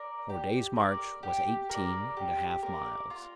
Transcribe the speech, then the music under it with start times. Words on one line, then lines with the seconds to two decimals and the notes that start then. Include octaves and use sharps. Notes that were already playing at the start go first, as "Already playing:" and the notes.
Our day's march was eighteen and a half miles.
Already playing: A#4 D5
0.29 G4
0.76 A#4 D5
1.23 G4
1.69 A#4 D5
2.17 G4
2.63 A#4 D5
3.10 F4